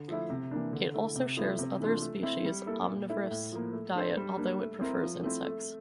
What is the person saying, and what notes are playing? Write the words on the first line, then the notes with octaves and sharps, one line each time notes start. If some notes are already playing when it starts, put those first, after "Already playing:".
It also shares other species' omnivorous diet, although it prefers insects.
Already playing: D3
F3 A3 E4
C3
E3 A#3 D4
D3
A3 E4
C3
F3 A3 E4
C3
E3 A3 D4 F4
A3
C4 E4
G3
A#3 E4 A4
A#2
A3 E4
A2
F3 A#3
A3
D4 A4 C5
G3
A#3 D4
A3
C4 E4 A#4
F3
A3 C4 E4
A3